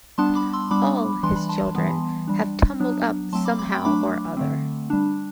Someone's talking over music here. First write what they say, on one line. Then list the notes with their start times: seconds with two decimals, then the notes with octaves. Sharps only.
All his children have tumbled up somehow or other.
0.18 G3 B3 D4 A5 C6
0.35 B5 D6
0.53 C6 E6
0.71 G3 B3 D4 B5 D6
1.23 E3 G3 D4 C6
1.36 B5
1.49 A5 C6
1.75 E3 G3 B3
2.28 G3 D4
2.80 F#3 B3 D4
3.32 F#3 A3 C4 A5 C6
3.45 B5 D6
3.59 B5 D6
3.72 G5 B5
3.84 F#3 A3 D4 B5 D6
4.37 D3 A3 C4
4.90 G3 D4